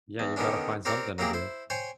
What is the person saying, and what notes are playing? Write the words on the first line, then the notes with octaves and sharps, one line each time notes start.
Yeah, you gotta find something to do.
E2
D3 D#3 G3 B3 C#4 D4
C4 G4 A#4 C#5 D5
F#3 A#3 E4 G4 G#4
E4 C5
C5 C#5 G5 G#5